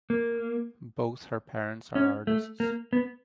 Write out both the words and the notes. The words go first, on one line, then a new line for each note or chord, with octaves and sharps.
Both her parents are artists.
A#3
C#4
A3
A#3
B3